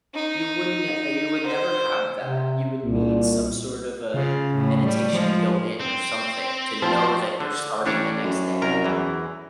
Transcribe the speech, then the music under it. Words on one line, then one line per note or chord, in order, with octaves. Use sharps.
You wouldn't n uh, you would never have that. You would need some sort of a meditation built in or something to know that you're starting the next day.
D#4
C5
C3
C2 A#2
C#3 F4
A2
G3
F3 G#3
C4
F3 G4 A5 C6
D3
A1 G3 D4 C#5
F#2
C2 A#4 A#5
E2 E3